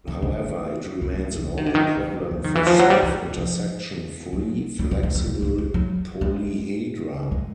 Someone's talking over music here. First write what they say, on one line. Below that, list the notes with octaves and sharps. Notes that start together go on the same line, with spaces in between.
However, it remains an open problem for self-intersection free flexible polyhedra.
D#3
D3
G3
G#3
G3
D3
E3
D#3
D3
D#3
E3
F#3
G3
F#3
D#3
E3
F3
F#3
G3
E3
F3
F3
F#3
G3
G#3
G3
G3
G3
G#3
G#3
F#3
G#3
G#3